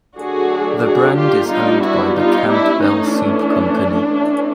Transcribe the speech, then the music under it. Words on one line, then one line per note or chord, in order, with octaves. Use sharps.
The brand is owned by the Campbell Soup Company.
D3 F#3 A3 D4 F#4 G#4
F#4 G#4
F4 G4
G3 B3 D4 D#4 F4
E4 F#4
D#4 F4
D4 E4
E3 A3 C#4 D#4
D4
E3 A3 C#4